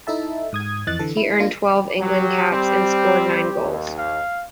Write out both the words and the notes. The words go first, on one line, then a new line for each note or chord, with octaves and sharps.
He earned twelve England caps and scored nine goals.
D#4 E4 A4 E5 A5
G#2 D#6 G#6
F2 E3 D#5 F#6 A6
D3 E3 A4
E4
A#3 D4 F4
F#3 G4
G3 C4
D#2
F5